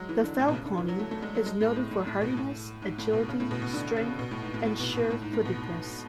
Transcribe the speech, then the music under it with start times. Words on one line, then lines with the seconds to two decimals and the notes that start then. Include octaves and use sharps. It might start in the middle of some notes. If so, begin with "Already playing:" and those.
The Fell pony is noted for hardiness, agility, strength and sure-footedness.
Already playing: F#3 G#3
0.09 E3
0.24 D3
0.39 A2
0.48 B2
0.54 C#3
0.66 D3
0.77 E3
0.88 F#3
0.99 A3
1.11 A3
1.22 G#3
1.35 F#3
1.46 G#3
1.61 A2
1.76 A2
1.91 A2
2.07 A2
2.21 B2
2.37 A2
2.82 G#2
2.98 A2
3.13 B2
3.29 C#3
3.40 A2
3.51 B2
3.62 B2
3.74 D3
3.96 C#3
4.19 B2
4.31 A2
4.42 G#2
4.54 A2
4.65 A2
4.80 B2
4.95 B2
5.10 A2
5.22 G#2
5.33 A2
5.45 B2